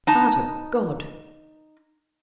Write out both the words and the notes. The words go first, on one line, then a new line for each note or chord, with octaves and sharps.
Heart of God!
D#4 A5 A#5